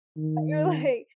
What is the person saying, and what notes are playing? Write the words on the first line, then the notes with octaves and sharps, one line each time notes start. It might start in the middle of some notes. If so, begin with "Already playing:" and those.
you're like
D#3